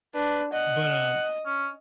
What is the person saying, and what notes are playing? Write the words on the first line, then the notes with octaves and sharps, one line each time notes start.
but, um,
D4 B4
D#5 F#5
C#4